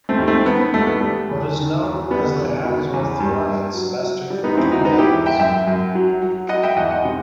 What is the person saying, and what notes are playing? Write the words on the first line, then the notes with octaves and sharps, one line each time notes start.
What is now known as the Handsworth Riots lasted for two days.
A3 C4
D#2
A3 C4
D#3 B3
B3
D#2 A3
B3
G3 A3
E2
D#3
E2
G3 B3
E2
B2
E2
G2
G2
F#3
F#3
G3
B3 D#4
E2 C4 E4
D#4 F#4
B2 B3 D#4
E4 G4
E2
E5 G5
F#2 E5 G5
F#2
F#3
F#3
F#3 D#5 F#5
E5 G5
E2 D#5 F#5
D#5 F#5
C3